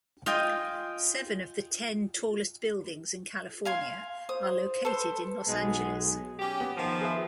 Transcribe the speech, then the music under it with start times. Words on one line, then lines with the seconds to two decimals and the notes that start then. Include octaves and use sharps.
Seven of the ten tallest buildings in California are located in Los Angeles.
0.26 F4 D#5 G5 G#5
3.65 F5 G#5 C6
4.29 C5 D#6
4.85 A4 B4 C5
5.47 B1 G#3 B3
6.39 C#4 G4
6.61 B3
6.76 D#3 F3
7.01 G#4 B4 E5